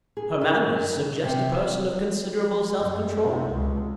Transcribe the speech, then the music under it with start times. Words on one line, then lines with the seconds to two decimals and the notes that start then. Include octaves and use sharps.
Her manners suggest a person of considerable self-control.
0.17 G#4
0.41 D#3
1.24 C3
2.78 F#2
3.22 C3
3.51 C#2